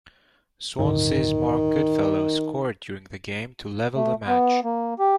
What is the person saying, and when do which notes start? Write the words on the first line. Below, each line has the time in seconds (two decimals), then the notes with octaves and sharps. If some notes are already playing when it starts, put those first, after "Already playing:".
Swansea's Marc Goodfellow scored during the game to level the match.
0.79 D1 G1 D#3
3.96 A3
4.27 B3
4.64 A#3
4.99 G4